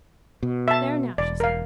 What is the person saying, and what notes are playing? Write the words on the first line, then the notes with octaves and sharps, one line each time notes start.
'There, now!' she said.
B2
E5 A5
E1 D5
A#4 F5